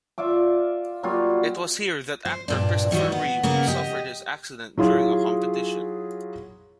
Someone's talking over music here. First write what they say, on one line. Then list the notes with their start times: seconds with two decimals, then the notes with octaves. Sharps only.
It was here that actor Christopher Reeve suffered his accident during a competition.
0.18 F4 D5 E5 D6
1.03 F#3 G3 A#3 F4
2.25 C5
2.48 G2 A#2 D4
2.91 D#3 F#3 G3 E4
3.12 B3
3.43 C#3 A#3 B3 A#4
3.67 G4 D#5
4.78 F#3 E4 F4 G#4